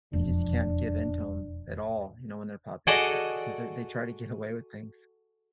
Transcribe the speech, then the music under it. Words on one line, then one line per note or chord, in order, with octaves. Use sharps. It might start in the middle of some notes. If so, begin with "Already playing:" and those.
you just can't give into 'em at all, you know, when they're puppies, uh, 'cause they're they try to get away with things,
E1 F2 D4
F#4 G#4 A4 D5 D#5